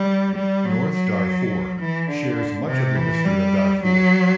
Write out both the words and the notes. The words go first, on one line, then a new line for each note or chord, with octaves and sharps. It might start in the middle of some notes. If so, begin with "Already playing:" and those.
North Darfur shares much of the history of Darfur.
Already playing: G3
G3
F#3
F#3
E3
D3
C3
E3
G3
F#3